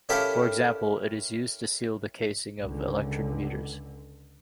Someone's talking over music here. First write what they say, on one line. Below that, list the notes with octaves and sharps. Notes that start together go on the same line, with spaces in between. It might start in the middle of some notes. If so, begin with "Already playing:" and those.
For example, it is used to seal the casing of electric meters.
C#4 E4 G4 A4 A#4 F5
C#2 D3